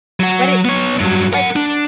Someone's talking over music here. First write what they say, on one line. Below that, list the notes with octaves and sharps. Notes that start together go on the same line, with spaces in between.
But it seems like
F#3 F#4
B3 C#5
G2 F#3
A#4 F#5
D4